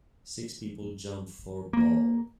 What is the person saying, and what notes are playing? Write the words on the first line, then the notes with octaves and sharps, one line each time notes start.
Six people jump for ball.
A#3